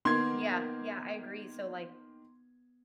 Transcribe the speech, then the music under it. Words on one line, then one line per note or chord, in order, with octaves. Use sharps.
Yeah, yeah, I agree. So, like,
D#3 A#3 B3 C6 G#6